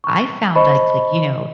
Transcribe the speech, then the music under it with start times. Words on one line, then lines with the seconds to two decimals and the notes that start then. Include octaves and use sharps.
I found, like like, you know,
0.04 C#6
0.56 C5 D#5 A5 B5 C#6